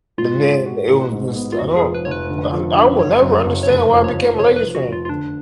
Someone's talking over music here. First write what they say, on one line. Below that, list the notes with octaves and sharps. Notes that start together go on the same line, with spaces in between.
but then it was just, I don't I I will never understand why I became a Lakers fan.
G#2 F4
G#3
F#4
A1
G#2
B3
F4
F1 F#4
G#4
F2
B4
F1 C#5
B4
D3
F3
D4
F#1 C#5
F#2
F#1
C#5
F1 B4
F2
C#5
F1
F1 C#5
B4
F2
F#4
F1
F4
F4
D3 D4